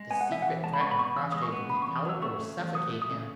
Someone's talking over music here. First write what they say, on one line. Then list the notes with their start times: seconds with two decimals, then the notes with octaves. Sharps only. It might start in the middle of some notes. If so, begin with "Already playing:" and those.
The secret threatened Crossjay to be out or suffocate him.
Already playing: G#3
0.10 B3 G#5
0.21 F#5
0.29 B2 E5
0.42 E2 F#5
0.64 G#3 A5
0.74 B5
0.81 B3 C#6
0.91 B5
0.99 B2 C#6
1.16 E2 E6
1.32 G#3 D#6
1.42 C#6
1.52 B3
1.69 C#3 B5
1.82 E2 C#6
1.96 D#6
2.05 F#3 E6
2.22 A3 C#6
2.39 C#3
2.58 E2
2.75 F#3 D#6
2.92 A3
3.02 D#6
3.09 C#3